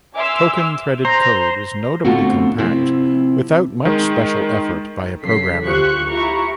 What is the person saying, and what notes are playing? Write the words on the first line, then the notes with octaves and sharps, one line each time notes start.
Token threaded code is notably compact, without much special effort by a programmer.
E5 G#5 C6 D6 E6 F6
C5 A#5
B2 D3 A3 C4 F4 F#4
C3 F3 C4 E4
D#3 G#3
C#3 F#3 A4 B6 C7
D2 F4 G4 C5 C#6 F#6
E4 F4 G4 A#5 C#6